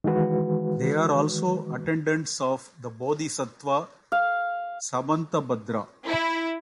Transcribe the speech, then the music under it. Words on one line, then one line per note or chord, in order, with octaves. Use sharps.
They are also attendants of the bodhisattva Samantabhadra.
D#3 E3 G#3 F#4 B4
F5
E4